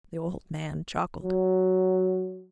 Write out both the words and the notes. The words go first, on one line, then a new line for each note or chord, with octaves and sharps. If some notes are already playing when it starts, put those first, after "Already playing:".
The old man chuckled.
F#3